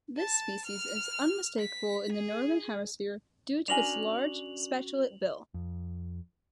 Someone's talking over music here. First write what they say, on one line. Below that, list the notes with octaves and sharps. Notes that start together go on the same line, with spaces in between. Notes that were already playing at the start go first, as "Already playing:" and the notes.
This species is unmistakable in the northern hemisphere due to its large spatulate bill.
A5
F6
B6
G#4
C#4 D4 F#4 A#4 G#5 F7 F#7
F2